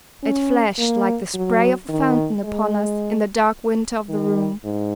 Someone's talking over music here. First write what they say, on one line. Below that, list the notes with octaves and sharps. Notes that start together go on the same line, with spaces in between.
It flashed, like the spray of a fountain upon us, in the dark winter of the room.
C#4
A#3
F#3
D#3
G#3
D#3
G#2